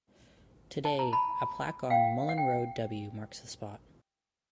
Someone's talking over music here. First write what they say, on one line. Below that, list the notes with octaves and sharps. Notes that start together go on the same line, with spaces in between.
Today a plaque on Mullan Road W. marks the spot.
A5
A#5
A5 B5
F5 G5
F#5
G5